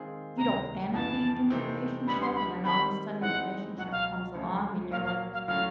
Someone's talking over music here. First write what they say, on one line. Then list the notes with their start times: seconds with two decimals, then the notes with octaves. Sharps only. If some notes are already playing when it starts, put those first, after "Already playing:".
you don't plan on being in a relationship, and then all of a sudden, a relationship comes along, and you're like,
Already playing: D#3 G#3 C4 F4 G#4
0.38 C#2 C3 D#3 A#5
0.94 F2 C#3 E3 A5
1.50 C3 E3 A3 C4 D#4
2.07 D2 D3 G3 B3 B5
2.21 C6
2.35 B5
2.64 D#3 G3 C4 B5
3.21 A2 E3 G#3 C4 D#4 F#5
3.78 C#2 B2 F#3 F#5
3.92 F5
4.34 D2 C#3 F3 A3
4.90 A#2 F#3 A#3 F5
5.05 F5
5.33 F5
5.47 A2 F#3 A3 C#4 F5